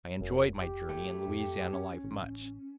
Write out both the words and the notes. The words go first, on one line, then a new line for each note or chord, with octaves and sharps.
I enjoy'd my journey and Louisiana life much.
F1 F#2
G4
A3 G5
F2
C#4
A1